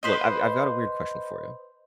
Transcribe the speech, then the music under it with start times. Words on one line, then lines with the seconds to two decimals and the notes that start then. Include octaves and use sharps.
look, I've I've got a weird question for ya
0.03 B4 C5 D#5